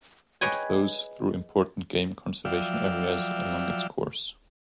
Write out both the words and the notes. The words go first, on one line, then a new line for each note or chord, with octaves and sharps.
It flows through important game conservation areas along its course.
G#4 B4 C#5 D#5 G5 G#5
F3 F#3 D5 E5 F5 G5